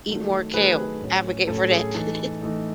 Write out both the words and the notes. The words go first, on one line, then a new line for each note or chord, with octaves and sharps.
Eat more kale, advocate for that.
D#3 F#3 A3
D#3 F#3 A3 G#4 B4
A2 F#3 C#4
A2 F#3 C#4 A4
G#4
E3 A3 D#4 A4
E3 A3 D#4